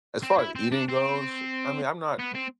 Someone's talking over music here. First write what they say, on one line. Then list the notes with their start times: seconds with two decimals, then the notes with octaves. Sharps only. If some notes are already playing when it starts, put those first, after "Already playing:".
As far as eating goes, I mean, I'm not
0.23 C4
0.38 E4
0.56 C4
0.72 D4
0.89 C4
2.19 B3
2.35 C4